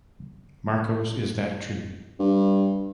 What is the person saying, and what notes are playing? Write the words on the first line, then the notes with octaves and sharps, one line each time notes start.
Markos is that tree.
G2